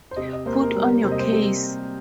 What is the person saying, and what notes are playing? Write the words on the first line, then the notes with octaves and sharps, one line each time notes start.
Put on your case.
C5
C3 D#5
D#5
A#3 C5
A#4
G3
C3 C5
D#5
C5
C3